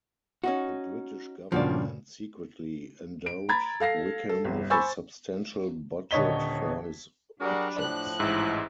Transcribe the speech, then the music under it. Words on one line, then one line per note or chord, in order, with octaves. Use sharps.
The British government secretly endowed Wickham with a substantial budget for his objects.
C#4 D#4 F#4
G2 A#2 C#3 F3 F#4 D5
D7
A#5 B5 G#6 A6
A4 F5 A#6 C7
A4
G1 C2
C5 G#5 B5 C#6 E6 A6
D#1 D3 C#5 D#5 B6 G7
F#3 G3 D4 F#4 G#4 A#4
A2 F3 F#6
A1 G#2 E4